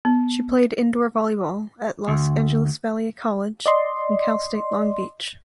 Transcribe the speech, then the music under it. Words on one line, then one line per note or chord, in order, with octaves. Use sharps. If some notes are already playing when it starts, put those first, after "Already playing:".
She played indoor volleyball at Los Angeles Valley College and Cal State Long Beach.
B3
D2
D5 D#5 C6